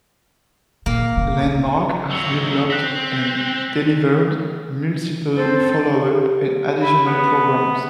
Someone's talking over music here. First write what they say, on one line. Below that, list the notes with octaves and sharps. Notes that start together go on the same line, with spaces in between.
Landmark has developed and delivered multiple follow-up and additional programs.
A#2 A#3
C#3
D#2 F#3 E6 C#7 F7
C4 F#6 B6
C4 A4 C5
G4
E4
B3